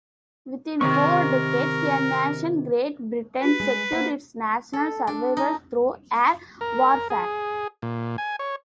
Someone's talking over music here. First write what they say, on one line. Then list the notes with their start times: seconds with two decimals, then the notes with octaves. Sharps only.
Within four decades, a nation-Great Britain-secured its national survival through air warfare.
0.81 C3 D#3 C4 A#4 C#6
3.40 B4
3.60 G#3
3.92 A#3 C5 F#5
4.73 A4
5.07 D4
5.37 D#4
6.61 A#4
7.10 G#4
7.82 A#2
8.18 G#5
8.39 C#5